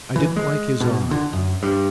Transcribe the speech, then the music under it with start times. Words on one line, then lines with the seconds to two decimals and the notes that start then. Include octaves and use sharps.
I didn't like his eye.
0.16 E3
0.36 G#3
0.80 B2
1.11 D3
1.33 F#2
1.63 G2